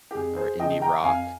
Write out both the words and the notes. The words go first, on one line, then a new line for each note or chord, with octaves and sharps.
or indie rock,
G4
F2 G#4
G#4 C5
C#3 F3 D#5 G5
G5 A#5
F2 F5 G#5